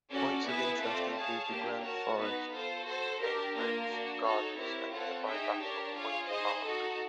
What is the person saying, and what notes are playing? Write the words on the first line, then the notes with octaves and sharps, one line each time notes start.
Points of interest include the Grand Forest, Bainbridge Gardens, and nearby Battle Point Park.
C#4 F#4 A4 D5
B3 E4 G#4 B4 E5
A3 C4 F4 A4 D5
G#4 C#5 F5 A5
A#3 D4 G4
F#4 A#4 C#5 F#5 A5
B3 D#4 F#4 B4
F4 A4 C5
F#4 A4 C5
D4 G4 A#4
A#3 D4 F4 A#4
A#3 D4 F#4
D#4 F#4 A4 C#5
C4 E4 G4 A#4 C#5
C4 F4 A4 C#5 F#5
D#4 G#4 C#5 E5 G5
D4 G4 A#4 C#5
F4 G#4 C#5 F5
D#4 G#4 C5 D#5
D#4 F#4 A4